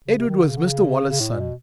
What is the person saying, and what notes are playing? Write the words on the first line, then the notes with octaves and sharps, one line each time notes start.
Edward was Mr Waller's son.
C#3
C3
D#3
D3
C#3
D3
C#3
C#3
A2
A#2
B2